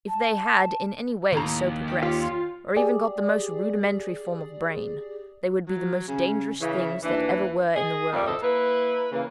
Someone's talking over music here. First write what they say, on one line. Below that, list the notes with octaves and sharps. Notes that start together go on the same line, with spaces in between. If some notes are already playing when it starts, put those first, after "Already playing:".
If they had in any way so progressed, or even got the most rudimentary form of brain, they would be the most dangerous things that ever were in the world.
A5
D#2 A2 A#5
G4
F4 G4 C#5
G4 G#4 D5
F#3 F#4
C#3 C#4
C#3 E3 E5
D#2 E3 D4
G#4 D#5
F2 A#2 G3 D5 D#5
F2 A2 A4 C5 D#5
A#3 E4 B4
C#3 E3 A#3